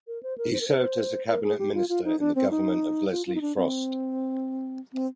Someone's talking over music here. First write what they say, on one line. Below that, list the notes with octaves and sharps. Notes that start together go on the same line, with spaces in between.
He served as a cabinet minister in the government of Leslie Frost.
A#4
C5
A#4
C5
A#4
C5
A#4
G#4
G4
F4
F4
D#4
D4
C4
D#4
F4
F4
D#4
D4
C4
C4